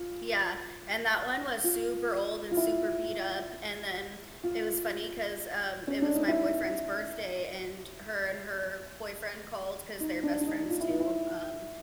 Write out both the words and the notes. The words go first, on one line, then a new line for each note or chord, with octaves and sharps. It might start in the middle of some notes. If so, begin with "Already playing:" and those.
Yeah, and that one was super old and super beat up, and then it was funny 'cause, um, it was my boyfriend's birthday, and her and her boyfriend called 'cause they're best friends, too, um,
Already playing: F4
F4
F4
E4
F4
C#4
D4
D#4
E4
D#4
D4
D4
D#4
F4
E4
D#4
E4